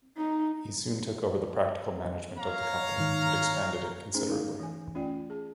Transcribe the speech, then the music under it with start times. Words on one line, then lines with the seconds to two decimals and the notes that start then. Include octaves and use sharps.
He soon took over the practical management of the company, and expanded it considerably.
0.16 D#4
2.39 C#5 F5 A#5
2.98 G#2 D#3
4.14 A3 C#4 D#4 G#4 C5 A#5
4.29 D#4 E4 F5
4.60 E3 G#5
4.95 A3 C#4 F4 D5 G5
5.30 G#4 A5